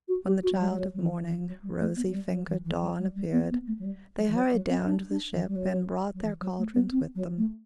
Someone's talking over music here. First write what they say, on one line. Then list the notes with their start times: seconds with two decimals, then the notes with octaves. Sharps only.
When the child of morning, rosy-fingered Dawn, appeared they hurried down to the ship and brought their cauldrons with them.
0.08 F#4
0.25 G4
0.43 F#4
0.52 F#3
0.60 G3
0.71 G3
0.77 F#3
0.94 F#3
1.00 E3
1.23 E3
1.46 F#3
1.63 G3
1.80 A3
1.96 B3
2.07 F#3
2.13 G3
2.31 F#3
2.47 E3
2.65 E3
2.82 F#3
2.99 G3
3.15 G3
3.32 B3
3.51 B3
3.67 A3
3.79 F#3
3.84 G3
4.18 F#3
4.28 E3
4.35 F#3
4.53 F#3
4.69 C4
4.86 D4
5.10 D4
5.32 E3
5.48 G3
5.55 F#3
6.14 F#3
6.23 E3
6.41 F#3
6.58 A3
6.74 B3
6.92 C4
7.15 F#3
7.37 A3